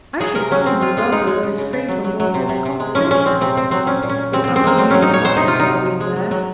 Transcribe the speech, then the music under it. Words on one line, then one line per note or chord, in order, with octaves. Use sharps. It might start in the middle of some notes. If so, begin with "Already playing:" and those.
'I should think you were rather a restraint on your hosts' conversation. They can't abuse the masters while you're there.
F#3 G#4
C3 A#4
F#3 C#4
C#3 C4
G#3 F4
G#3 F4
G#3 D#4
G#3
C#3
C#3
C#3
F#3
F#3
F#3
C3
C3
C3
G#3
F3 C#4
A#2 C#4
A#2 C4
C3 C4
C3 C4
F#3 C4
A#2 C#4
A#2
C#4
A#2
C#3 C4
F3 C4
C4
G#3 A#3
F#3 C4
F#3 C#4
D#4
A#2 C#5
F#3 C5
C3 D#4
F4
C3 D#4
F3
F3
G#3
F#3
F#3